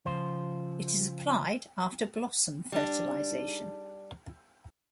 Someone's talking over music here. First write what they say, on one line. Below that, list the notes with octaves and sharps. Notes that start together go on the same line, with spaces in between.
It is applied after blossom fertilization.
C#3 F3 F4 C5
G3 D4